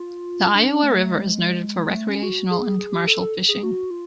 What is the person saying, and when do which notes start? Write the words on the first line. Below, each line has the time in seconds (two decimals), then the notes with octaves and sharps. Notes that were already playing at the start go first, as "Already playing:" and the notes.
The Iowa River is noted for recreational and commercial fishing.
Already playing: F4
0.54 D4
0.69 C#4
0.83 A3
1.11 G#3
1.88 G#3
1.95 A3
2.09 C#4
2.23 F#4
2.51 G#4
2.66 G#4
2.79 G#4
2.93 G4
3.07 A4
3.21 A4
3.48 G#4
3.63 F#4
3.90 F4